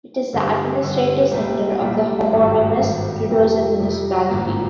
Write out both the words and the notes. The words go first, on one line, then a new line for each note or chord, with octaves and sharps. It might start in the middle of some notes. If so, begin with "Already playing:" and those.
It is the administrative centre of the homonymous Rudozem Municipality.
G2 D3 G3
G2 D3 G3
C2 A#2 G3
C2 A#2 G3
G#1 G2 D#3
G#1 G2 D#3
F2 C3 G3
F2 C3 G3
G#1 G2 D3 F3 A#3